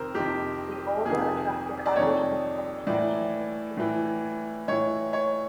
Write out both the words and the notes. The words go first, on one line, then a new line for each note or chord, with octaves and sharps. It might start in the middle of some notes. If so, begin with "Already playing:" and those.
The Order attracted Irish and Scottish Nationalists to its ranks.
Already playing: F2 C3 D#3 A#4 C5
F2 C3 D#3 G4
F2 C3 D#3 G#4
D5
F2 C3 D#3 C#5
A2 E3 D5
A2 E3
A2 E3 C#5
C#5